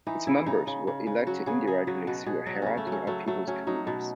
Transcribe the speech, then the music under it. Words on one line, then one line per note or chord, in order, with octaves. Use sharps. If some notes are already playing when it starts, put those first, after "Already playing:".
Its members were elected indirectly through a hierarchy of people's committees.
E3 D#4
C#3 E4
C#3 D#4
C#3
C#3
C#3
F#3 F#4
C#3 G#4
F#3 G#4
F#3 F#4
B2 F#4
B2 G#4
F#3 F#4
C#3 C#4
A3
F#3
C#4
F#3 A3
F#3 A3
F#3 C#4
F#3 D#4
B2